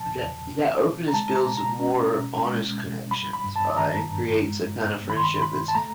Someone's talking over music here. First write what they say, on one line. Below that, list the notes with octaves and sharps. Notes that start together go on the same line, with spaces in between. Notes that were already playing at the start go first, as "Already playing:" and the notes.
that that openness builds more honest connections, uh, and creates a kinda friendship that's
Already playing: E2 C3 F3 G#5 A5
E2
C4
B2
A#5
G#3 A5
A#5
B2
A#5
C#4
B2
G#3
B2
G3 B5
B5
G2
A5
D#3 A#5
G2
G#3
B3
D#3 B5
C6
B5
C3 B5
A5
A3 A#5